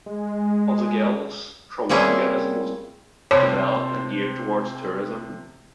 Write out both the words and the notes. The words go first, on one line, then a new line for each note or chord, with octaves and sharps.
Of the Gilis, Trawangan is the most developed and geared towards tourism.
G#3
G3 A#3 C4 C#4 E4 G#4
C3 C5 C#5 A5